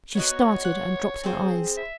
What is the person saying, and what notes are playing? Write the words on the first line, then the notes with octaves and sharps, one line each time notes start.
She started and dropped her eyes.
B3 D#4 F#4 C#5
F#5
C4 G#4 C5
E5